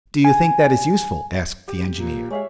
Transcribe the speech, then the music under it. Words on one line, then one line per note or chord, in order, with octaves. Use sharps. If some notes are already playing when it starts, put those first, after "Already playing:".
"Do you think that is useful?" asked the engineer.
G#5
G4
A#2
G#3 C#5 E5 F5